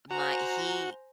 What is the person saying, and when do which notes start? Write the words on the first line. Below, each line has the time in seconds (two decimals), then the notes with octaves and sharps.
My he
0.11 F#4 C5 G#5 A#5